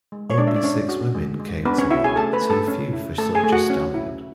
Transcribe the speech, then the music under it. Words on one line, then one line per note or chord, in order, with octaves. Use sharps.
Only six women came to know, too few for such a stallion.
G#3
C#5
G#3 D4 D5
E5
D5
C#4 D4 C#5
F#4
G#3
G#3
B3 D4 B4
C#4 C#5
E4 F#4 E5
G#4 G#5
A3 A4 A5
B4 B5
A3
A4 A5
C#4
E4
A3 A4 A5
G#4 G#5
A3
F#4 F#5
C#4
E4